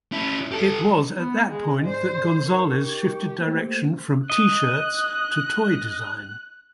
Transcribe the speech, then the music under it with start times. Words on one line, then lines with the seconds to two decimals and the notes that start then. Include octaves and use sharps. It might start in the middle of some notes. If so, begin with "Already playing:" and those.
It was at that point that Gonzales shifted direction from T-shirts to toy design.
0.12 C#4 E4
0.51 G4 A4
1.17 B3
1.49 G#3
1.85 G#2 C5 D5
2.46 D#4 A#4 C#6
2.77 G4
3.40 A3 A#3 C5
4.30 D#5 F#6